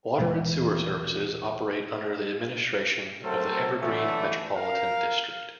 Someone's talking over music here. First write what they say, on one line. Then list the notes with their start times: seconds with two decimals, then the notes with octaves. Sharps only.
Water and sewer services operate under the administration of the Evergreen Metropolitan District.
0.18 D#1 B2 E3 G#3
3.24 F#3 A3 C4 A4 A#4 C5
3.81 D3 E3 F#3 A3
4.56 A#4 F5